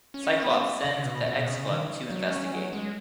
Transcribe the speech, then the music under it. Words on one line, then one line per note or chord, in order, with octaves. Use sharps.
Cyclops sends the X-Club to investigate.
C#4
B3
C#3
B2
B2
C#3
D#3
F#3
C#4
F#3
G#3